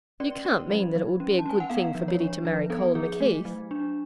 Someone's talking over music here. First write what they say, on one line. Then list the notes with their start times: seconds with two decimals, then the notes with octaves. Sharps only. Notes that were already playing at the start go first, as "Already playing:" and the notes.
'You can't mean that it would be a good thing for Biddy to marry Colin McKeith?'
0.20 C#4 D5
0.45 C#4
0.70 F#3
0.96 F#3
1.20 C#4
1.39 A5
1.46 C#4 G#5
1.60 F#5
1.70 B3 F5
1.95 F3
2.08 C#5
2.20 D4
2.45 F3 B4
2.70 B3 A4
2.95 F3 G#4
3.20 A3
3.45 F#3
3.71 D4